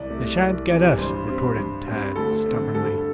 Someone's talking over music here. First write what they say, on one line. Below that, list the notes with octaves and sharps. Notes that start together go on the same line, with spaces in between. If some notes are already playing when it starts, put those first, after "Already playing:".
"They shan't get us!" retorted Tad stubbornly.
Already playing: C2 D5
C3 A3
C2
C3 E3
G2 C5
G3 C4
G2
G3 C4
D2 A4
D3 C4
G2 A4